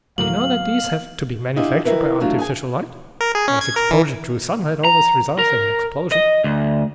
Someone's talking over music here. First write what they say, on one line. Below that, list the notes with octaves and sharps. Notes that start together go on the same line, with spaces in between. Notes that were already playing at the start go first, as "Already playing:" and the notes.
You know that these have to be manufactured by artificial light, as exposure to sunlight always results in an explosion.
D2 A2 F#3 A#3 F5 F#7
D4 E4 F4 G4 D#5
D#3 E3 G#3 E4 A#4 B4
E3 F#3 A3 D4 F4
G#4 G#5
A#4
G#4
C#4
G#6
A#4
E3
A#5
A#4
D#5
D2